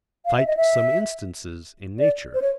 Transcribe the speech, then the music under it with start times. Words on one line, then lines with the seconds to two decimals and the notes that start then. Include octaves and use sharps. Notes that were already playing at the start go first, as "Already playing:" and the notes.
Cite some instances in nature.
0.26 F5
0.37 E5
0.47 D#5
0.57 E5
1.99 D5
2.34 C5
2.42 C#5